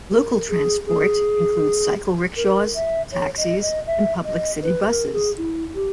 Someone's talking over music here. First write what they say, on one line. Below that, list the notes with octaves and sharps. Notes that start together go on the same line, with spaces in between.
Local transport includes Cycle Rickshaws, Taxis and Public City Buses.
A#4
G#4
G#4
A#4
E5
C#5
D#5
D#5
E5
D#5
B4
A#4
G#4
E4
G4